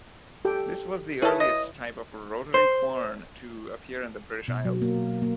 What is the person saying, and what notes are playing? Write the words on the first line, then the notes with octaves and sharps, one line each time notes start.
This was the earliest type of rotary quern to appear in the British Isles.
G4 A4 G5
E4 G#4 A4 B4 C#5
D#5
C5
B2
F#3
A#3
A#3